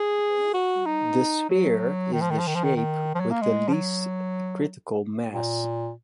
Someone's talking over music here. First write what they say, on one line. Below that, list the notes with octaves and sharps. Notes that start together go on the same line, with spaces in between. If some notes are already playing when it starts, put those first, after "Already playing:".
The sphere is the shape with the least critical mass.
Already playing: G#4
F#4
D#4
F#3
D#3
F3
D#3
F3
D#3
F3
D#3
D#3
F3
F#3
A#3
G#3
F3
F#3
A#2